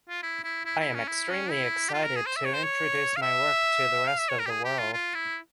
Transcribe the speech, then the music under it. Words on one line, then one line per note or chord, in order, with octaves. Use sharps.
I am extremely excited to introduce my work to the rest of the world.
F4
E4
E4
E4
E4
C#4
E4
C#4
E4
G4
F4
A#4
G#4
C5
E5
C#5
C5
C#5
F5
E5
F5
E5
C#5
A#4
G4
G#4
G4
F4
F4
E4